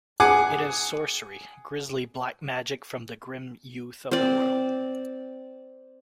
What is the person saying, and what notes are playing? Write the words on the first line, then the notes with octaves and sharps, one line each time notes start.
It is sorcery - grisly black magic from the grim youth of the world.
G#4 F#5 G#5 D6
C4 D5